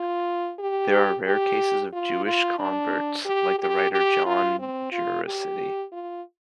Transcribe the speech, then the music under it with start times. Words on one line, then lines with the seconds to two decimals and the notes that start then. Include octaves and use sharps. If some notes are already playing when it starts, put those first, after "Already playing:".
There are rare cases of Jewish converts, like the writer Jon Juaristi.
Already playing: F4
0.59 G4
1.26 G4
1.93 F4
2.25 F4
2.59 D4
3.25 G4
3.59 G4
3.92 G4
4.26 F4
4.59 C4
4.92 F4
5.25 G4
5.92 F4